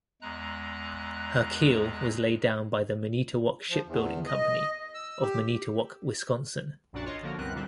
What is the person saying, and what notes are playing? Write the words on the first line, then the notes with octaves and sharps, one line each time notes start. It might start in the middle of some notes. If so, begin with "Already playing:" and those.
Her keel was laid down by the Manitowoc Shipbuilding Company of Manitowoc, Wisconsin.
E2 G#3 A#5 F#6
F3
E2
D#5
E6
G4
A#1 F#2 A#2 D4 F#4 A5
F4 C#5 D#5
D3 F3 A#3 F#4 A#4
C2 F#2 B3 C4 A#4 F#6
C#2 A#2 D3 G3 C4